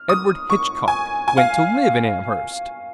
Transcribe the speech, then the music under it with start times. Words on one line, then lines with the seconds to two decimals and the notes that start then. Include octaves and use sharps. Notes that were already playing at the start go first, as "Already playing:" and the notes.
Edward Hitchcock went to live in Amherst.
Already playing: F6
0.09 D#6
0.50 C#6
0.88 G#5
1.28 G#5
1.37 F5